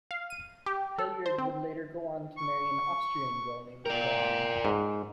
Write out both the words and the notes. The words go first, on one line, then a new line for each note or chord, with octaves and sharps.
Hilliard would later go on to marry an Austrian girl named Gretchen.
F5
D#7
G4
A4
C5
C4
C#6
A#4 D5 G5
G#2